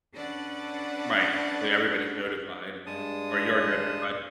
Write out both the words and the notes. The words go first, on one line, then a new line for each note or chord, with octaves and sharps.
right, where everybody's notified and or you're notified.
C#4 D4 A4 B4 D5 F#5
G2 G#3 A5 D#6